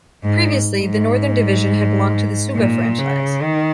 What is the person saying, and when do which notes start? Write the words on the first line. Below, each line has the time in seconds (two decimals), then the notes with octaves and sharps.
Previously the Northern Division had belonged to the Suva franchise.
0.23 G#2
0.81 G#2
2.55 A#2
2.98 C#3
3.42 D#3